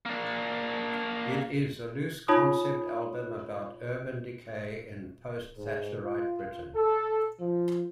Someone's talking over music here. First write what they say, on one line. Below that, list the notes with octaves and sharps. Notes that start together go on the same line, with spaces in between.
It is a loose concept album about urban decay in post-Thatcherite Britain.
A#3 D4
D#4 F4 C#5 A5 B5 D#6
G#2
F4
A4
F3